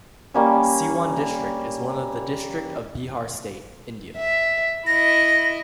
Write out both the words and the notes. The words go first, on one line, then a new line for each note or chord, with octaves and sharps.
Siwan district is one of the district of Bihar state, India.
G3 A#3 C#4
E5
E4 D#5 A#6